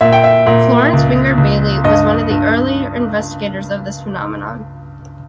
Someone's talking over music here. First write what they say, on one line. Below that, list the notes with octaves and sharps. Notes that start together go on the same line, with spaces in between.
Florence Winger Bagley was one of the early investigators of this phenomenon.
A#2 E5
G5
E5
A#2
C#2
C#2
G2 D#5
G2